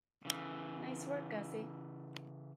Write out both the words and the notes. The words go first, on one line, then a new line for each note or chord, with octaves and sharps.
Nice work, Gussie.
C#3 E3